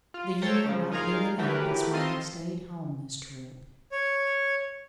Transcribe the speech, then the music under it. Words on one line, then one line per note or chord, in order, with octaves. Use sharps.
The year not bein' up is why he stayed home this trip.
F4
A4 C5 C#5 G5 A#5 A6
C#3 F3
D#4 F4 G#4 A#4 F5
E3 F#3 A3 G4 A#4 B4
C4 F4 A4 D#5 C6
C#5